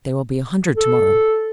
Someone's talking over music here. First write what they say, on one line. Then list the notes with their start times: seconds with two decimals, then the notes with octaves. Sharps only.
"There will be a hundred to-morrow."
0.77 A4